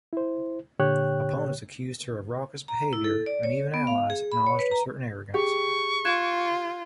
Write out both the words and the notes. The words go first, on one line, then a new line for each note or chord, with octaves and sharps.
Opponents accused her of raucous behavior, while even allies acknowledged a certain arrogance.
E4 C5
A#2 D3 G4 C#5 G5 F#6
A#5
E4
A4
D5
C#5
B3
F5
G#4
B5
C#5
B4
A#5
G4 G#4 C#6
F4 F#6 G#6 E7